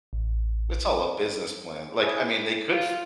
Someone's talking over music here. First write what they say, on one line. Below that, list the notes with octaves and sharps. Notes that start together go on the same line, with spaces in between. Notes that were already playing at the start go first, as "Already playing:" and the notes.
It's all a business plan, like, I mean, they could f
A1
E4 G#4
F4